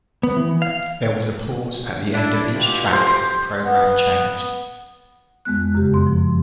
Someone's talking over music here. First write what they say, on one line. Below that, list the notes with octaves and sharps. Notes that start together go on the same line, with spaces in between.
There was a pause at the end of each track as the program changed.
B3
E3
F5
D4 E4
B2 F4 G4
C5
B3
F2 G#3 B3 F#6
F#2 C#3 G4
F#2 B3 C6
F3